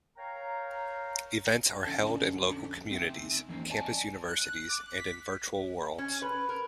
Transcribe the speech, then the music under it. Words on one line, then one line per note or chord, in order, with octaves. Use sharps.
Events are held in local communities, campus universities and in virtual worlds.
A#4 C#5 F5 G5 A#5
F2 D3 C#4 A4 D5 A5
C4 D#4 E5
F2 E3 A#3 C4 C#4
D5 D#5 G#5 A5
F#6
F#6
D6
F#6
B6
C#4
B4
A#4